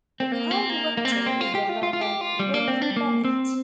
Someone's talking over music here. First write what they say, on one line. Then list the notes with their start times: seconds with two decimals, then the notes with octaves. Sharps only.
The current Rector is the Reverend William Bennett.
0.20 C4
0.32 A#3
0.51 C4
0.70 A#3
0.97 A#3
1.05 C4
1.12 A#3
1.27 C4
1.41 F4
1.55 G4
1.69 F4
1.83 F4
1.93 F4
2.01 G4
2.21 F4
2.39 G3
2.54 A#3
2.68 C4
2.82 D4
2.90 G3
2.96 A#3
3.25 C4